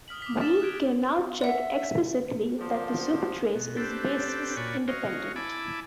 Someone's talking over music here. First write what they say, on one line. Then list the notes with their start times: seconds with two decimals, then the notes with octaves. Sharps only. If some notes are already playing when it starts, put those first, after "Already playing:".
We can now check explicitly that the supertrace is basis independent.
0.08 D#6 F6 B6 F#7
0.22 D6 B6
0.39 D6 F6 A6 B6 E7
0.61 F6 F#6 G#6 D7 G7
1.41 D5 E5 F#5
2.59 D3 F3 C4 D4
3.55 B2
3.77 C4 D4 G4 A4 B4
4.57 A#2 F#4 C#5 D5 G#5 B5
4.88 F#4 C#5 D#5 F5
5.36 E4 G#5 A5 B5 D6